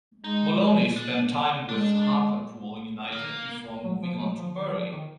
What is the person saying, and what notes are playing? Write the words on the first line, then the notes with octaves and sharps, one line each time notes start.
Moloney spent time with Hartlepool United before moving on to Bury.
G#3 D#4
D4
G#3 D4
A#3
F#3
F3
F#3
F3
D#3
F3
D#3